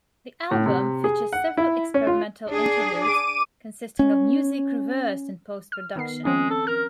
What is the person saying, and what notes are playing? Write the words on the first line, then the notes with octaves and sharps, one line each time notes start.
The album features several experimental interludes, consisting of music reversed in post-production.
A2
C3
G#4
F#5
E4
C#4
F4
D4 G#4
D6 D#7
C#4
F6
D#3 B3 C7
F3 G#3 C4 C#4
A4
A#4 F6